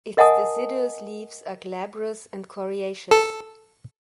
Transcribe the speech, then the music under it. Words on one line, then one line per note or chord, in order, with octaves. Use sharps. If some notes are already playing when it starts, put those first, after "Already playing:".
Its deciduous leaves are glabrous and coriaceous.
A#4 D#5 F#5 G#5 A5 D#6
A4